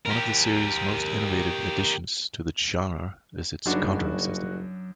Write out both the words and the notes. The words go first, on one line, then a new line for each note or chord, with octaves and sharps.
One of the series' most innovative additions to the genre is its countering system.
G4 A#4
F#1 F#2 F#3 G3 D4 D#4 F#4